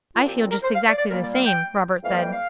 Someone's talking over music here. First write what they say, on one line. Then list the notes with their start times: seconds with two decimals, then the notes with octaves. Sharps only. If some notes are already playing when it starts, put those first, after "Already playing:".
'I feel just exactly the same,' Robert said.
0.16 A#2 F3 C4 F4
0.28 G4
0.39 A4
0.51 A#4
0.63 C5
0.75 F5
0.87 D5
0.98 D5
1.10 A#2 G3 A#3 A#4
1.22 D5
1.33 F5
1.46 G5
2.03 F2 E3 G3 A#3 F5
2.17 G5
2.32 F5